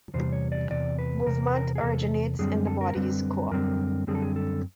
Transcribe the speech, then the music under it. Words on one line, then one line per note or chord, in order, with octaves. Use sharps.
Movement originates in the body's core.
E2 C3 G3 C5
C#5
D5
E2 C3 D5
B4
E2 C3 A#4
A#4
G#4
E2 C3 A4
F#2 D3 G3 C4 G#4
A4
A#4
F#2 D3 G3 C4 B4
F#2 D3 G3 C4 A#4
F#2 D3 G3 C4 G#4
A4
G#4
A4